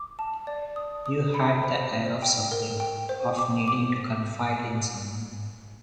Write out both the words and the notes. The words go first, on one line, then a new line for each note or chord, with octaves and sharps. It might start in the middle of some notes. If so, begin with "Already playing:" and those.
You had the air of suffering, of needing to confide in someone.
Already playing: D6
A5
D5
D#6
D#6
B5
C5
C5
G5
A#4
G5
C5
D6
D6